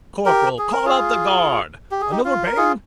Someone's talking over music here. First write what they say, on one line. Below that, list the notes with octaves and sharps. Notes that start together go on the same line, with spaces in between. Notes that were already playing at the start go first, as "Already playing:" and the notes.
Corporal, call out the guard! Another bang!
G4 A#4
G#4
A#4
F4 G#4
G4
G#4
D#4 G4
F4
A#4
F4 G#4